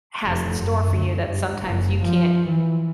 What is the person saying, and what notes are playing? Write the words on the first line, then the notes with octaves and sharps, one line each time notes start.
has in store for you that sometimes you can't
F1
F#2
D2
G2
F#1
F3
E3